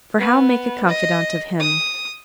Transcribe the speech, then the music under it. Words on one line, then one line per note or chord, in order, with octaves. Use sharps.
For how make a confidant of him?
B3
D#5
D#6